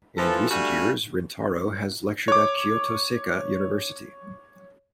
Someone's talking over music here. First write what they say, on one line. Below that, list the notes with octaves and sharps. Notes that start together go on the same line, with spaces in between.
In recent years, Rintaro has lectured at Kyoto Seika University.
E3 F3 A4
G3 A3 D4 F#4 F5 G#5
C#5 D6